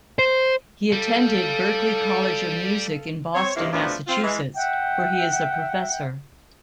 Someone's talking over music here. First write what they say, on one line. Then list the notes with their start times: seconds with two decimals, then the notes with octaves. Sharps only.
He attended Berklee College of Music in Boston, Massachusetts, where he is a professor.
0.19 C5
0.93 G3 A4 F5
3.34 C4 C5 C#5
3.56 G2 C3 D#3 A#3 E4
3.71 D2 A2 F3 B3 D4
4.07 C4 F4
4.23 E3 G#3
4.55 E5 F#5 G5